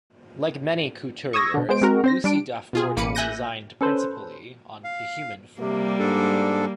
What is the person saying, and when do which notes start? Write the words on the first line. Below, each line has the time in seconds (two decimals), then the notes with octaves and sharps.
Like many couturiers, Lucy Duff-Gordon designed principally on the human form.
1.33 C#6 D#6 E6 G#6 A#6
1.54 B2 D3
1.69 G#3 B3 C5 D7
1.82 G#3 C4 F#4 A#4
2.04 C4 C5 A#6
2.24 G3 D4 D7
2.73 B2 F4 G#4
2.97 A1 A#3 B5 D6 C#7 D#7
3.15 E5 G#5 F#6 G6 A#6 D#7
3.81 C#4 A4 B4 C5
4.84 F5
5.60 C3 G3 A#3
5.99 G#2 D4 A4